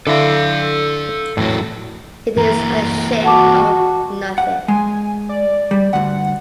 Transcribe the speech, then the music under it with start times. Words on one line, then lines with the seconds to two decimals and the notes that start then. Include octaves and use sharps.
It is ashamed of nothing.
0.07 D3 E4 A4 F5
1.37 E2 A2 F#3
2.37 E3 A#3 A#5
3.24 F#4 F#5 A5 D6
4.38 F#5
4.68 G#3 G#5
5.29 D5
5.71 G3
5.93 D2 G2 F#5